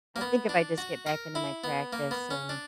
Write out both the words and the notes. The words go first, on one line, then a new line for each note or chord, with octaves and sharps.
I think if I just get back into my practice and
A#3
B3
D4
F#4
A#4
E4
B3
A#3
B3
C#4
D4